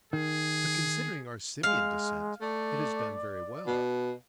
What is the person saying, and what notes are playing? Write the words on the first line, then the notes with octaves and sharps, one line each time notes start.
But considering our simian descent, it has done very well.
D#3 G#4
G#3 F5
A3 D5
B2